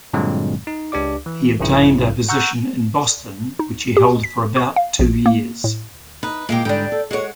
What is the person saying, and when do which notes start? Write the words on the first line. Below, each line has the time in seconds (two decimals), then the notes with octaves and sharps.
He obtained a position in Boston, which he held for about two years.
0.13 G2 A#2 D3 F#3 G#3 C4
0.67 D#4
0.92 C#2 D4 G4 D5 D6
1.26 E3
1.60 A#1 G2 C#3 E4
2.29 F#5 A#5 C#6 E6 F#6 G6
3.59 D#4
3.97 G4
4.23 B6
4.57 C#6
4.76 F5
4.99 A#1
5.26 A#3
5.64 A2
6.23 D#4 B4
6.49 A#2 G#3 A#3 G4
6.65 G#2 D3 G3 D4 G5
6.92 A4
7.11 G#3 F#4 C#5 F#5